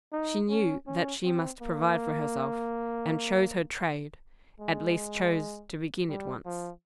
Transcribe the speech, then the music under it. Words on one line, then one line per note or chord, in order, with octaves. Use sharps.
She knew that she must provide for herself, and chose her trade; at least chose to begin it once.
D#4
C#4
C#4
C4
A#3
G#3
G3
F3